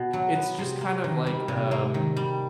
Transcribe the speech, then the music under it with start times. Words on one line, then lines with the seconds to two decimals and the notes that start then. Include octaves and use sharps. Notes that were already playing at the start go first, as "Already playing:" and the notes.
It's just kind of like, um
Already playing: B2 B3
0.13 F#3
0.35 B3
0.59 C3
0.81 A#3
1.04 D#3
1.27 G3
1.48 C3
1.71 A#3
1.94 D#3
2.16 G3